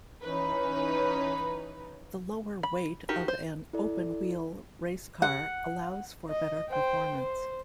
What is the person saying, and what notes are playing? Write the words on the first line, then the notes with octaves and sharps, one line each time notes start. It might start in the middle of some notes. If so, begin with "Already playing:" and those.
The lower weight of an open-wheel racecar allows for better performance.
E3 C#4 D#4 B4
B5
D#4 F#4 G4 A#4
C5
E4 A4 D5
F#5
D#5
C5 G5
C5